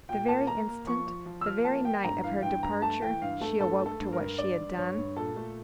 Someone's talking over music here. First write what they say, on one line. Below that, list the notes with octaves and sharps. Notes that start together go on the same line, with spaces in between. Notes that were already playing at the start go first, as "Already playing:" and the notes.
The very instant--the very night of her departure, she awoke to what she had done.
A#2 G5
A#3 A5
A#3 A#5
A#3
F3 C#6
F3
F3
E6
F3 F6
A#3 A5
A#3 G5
G2 A#5
E3 F5
G2 G5
G2 A#5
A3 A5
E3 G5
G2 F5
A3 A4
G2 A4
A3
A4
G2
A#4
G2
G2 D5
G2
G2 C#5
G2
A#2 A4
A3